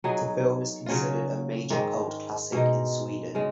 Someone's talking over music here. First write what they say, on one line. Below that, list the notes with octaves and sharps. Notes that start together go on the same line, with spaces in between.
The film is considered a major cult classic in Sweden.
F#3 B3 D#4 G#4
C#3 F#3 C#4 F4
G#2 D#3 G#3
B2 G#3 D#4
C#3 G#3